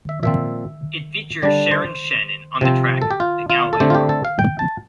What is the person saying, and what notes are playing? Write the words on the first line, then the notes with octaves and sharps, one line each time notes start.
It features Sharon Shannon on the track "The Galway Girl".
E5
A#2 F3 C4 E5
D3 G3 D4 D5
C5
C3 F3 C4
A4
G4
F4
F4
A4
D3 A3 C4 G4
F4
G4
A4
F5
G5
A5